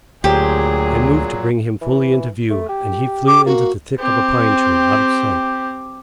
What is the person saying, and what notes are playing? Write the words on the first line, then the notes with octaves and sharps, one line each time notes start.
I moved to bring him fully into view, and he flew into the thick of a pine-tree out of sight.
D2 A#2 F#3 G4 G#4 C5
E3
A3
G4
D6
A#3 F#4
C4 G4